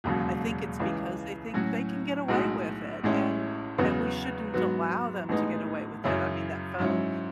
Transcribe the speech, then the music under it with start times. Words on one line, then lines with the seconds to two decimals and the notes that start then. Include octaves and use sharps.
I think it's because they think they can get away with it, and and we shouldn't allow them to get away with it. I mean, that phone
0.04 E1 D#2 C#3 F#3
0.79 C#2 C#3 E3
1.54 A2 F#3 C#4 F#4
2.28 B1 A2 G#3 D#4 F#4
3.03 A1 A2 G#3 C#4 E4
3.78 E2 C#3 F#3 B3 F#4
4.54 G#2 F#3 B3 F#4
5.29 A1 A2 G#3 B3 D#4
6.04 F#2 C#3 F#3 C#4 E4
6.79 G#2 F#3 C#4 E4